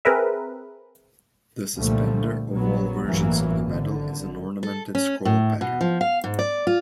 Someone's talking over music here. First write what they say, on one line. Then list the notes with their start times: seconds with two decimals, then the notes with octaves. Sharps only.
The suspender of all versions of the medal is an ornamented scroll pattern.
0.05 C4 G#4 A#4 B4 E5
1.75 C2 A#2 D3 F3 G3 A3
2.51 A#1 F#3 B3
3.06 A1 G2 E3 F#3 A#3
3.62 G#1 D3
4.63 A4
4.95 C#4
5.25 A2
5.61 B2
5.81 F3
6.01 F5
6.24 G#2
6.39 D5
6.67 F4